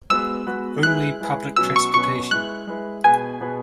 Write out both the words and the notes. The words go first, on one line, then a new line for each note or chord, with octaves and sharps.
Only public transportation.
G#3 B3 F#4 B4 E6
G#3 B3 F#4 B4
G#3 E4 G#4 B4 F#6
G#3 E4 G#4 B4
B2 F#3 C#4 F#4 B4 E6
C#6
B2 F#3 C#4 F#4 B4 C#6
G#3 E4 B4 F#6
G#3 E4 B4
B2 B3 G#4 B4 G#5
B2 B3 G#4 B4